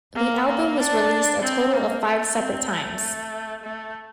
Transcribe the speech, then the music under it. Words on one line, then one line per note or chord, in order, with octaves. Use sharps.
The album was released a total of five separate times.
A#3
A#3
D4
C4
A#3
A3
C4
A3
A3